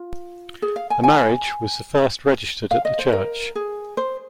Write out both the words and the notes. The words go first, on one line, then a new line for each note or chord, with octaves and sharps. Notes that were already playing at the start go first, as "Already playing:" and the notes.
The marriage was the first registered at the church.
Already playing: F4
G#4
F5
G#5
G#5
F5
D#5
C5
A#4
G#4
C5